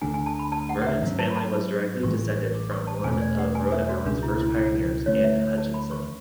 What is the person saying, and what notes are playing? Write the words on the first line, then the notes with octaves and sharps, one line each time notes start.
Vernon's family was directly descended from one of Rhode Island's first pioneers, Anne Hutchinson.
D2 D3 A3 D4 G#5
G#5
A5
B5
A5
F#5
F#5
E5
G#2 F#3 C#4 E5
A5
B5
A5
A1 A2 E3 G#3 C#6
C#6
D6
C#6
A5
E2 B2 A3 C#4 G#5
D5
F#5
G#5
E5
F#4
C#2 B2 G#3 C#4 D4
E4
E4
E4
D2 D3 A3 C#4 C#5
E5
E5
A5
B5
C#6